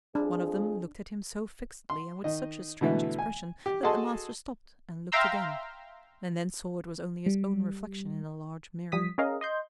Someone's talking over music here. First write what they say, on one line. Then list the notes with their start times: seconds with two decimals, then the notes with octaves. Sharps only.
One of them looked at him so fixedly and with such a strange expression that the master stopped and looked again, and then saw it was only his own reflection in a large mirror.
0.15 F2 F3 D4 G#4
1.90 C6
2.24 D#3 D#5
2.81 B2 D3 E3 A3 B3
3.19 G#5
3.66 G4
3.83 F#4 G#4 A4 D#5 A5 C6
5.12 E5 F5 G5 A#5 C6 E6
7.26 G3
8.92 F3 G3 D#6 B6
9.18 C#4 G#4 A#4 D#5 F5
9.41 D#5 C6 G6